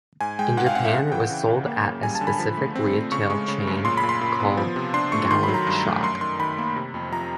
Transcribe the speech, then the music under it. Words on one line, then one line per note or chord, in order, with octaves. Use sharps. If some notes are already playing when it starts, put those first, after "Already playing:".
In Japan, it was sold at a specific retail chain called "Galant Shop".
G#2 G#5
G#3 G5
G#2 F#5
F5
C4 F#5
E5
C#3 F#5
E3 G5
C#3
C#3
A#3
F#2
G3 G#5
A5
D3
B5
F3
A3
C4
A3
C#3 C#6
G#3
C#3
F#2
A#2 C6
B5
A#2
C6
A#2
B3
F3
C3
D4 C6
A3 C#6
D#3 C6
B5
F#3
A#5
G2
A3
F#2 C6
D#3 C6
D#3 B5
A#3
C3
F2
F3 A#5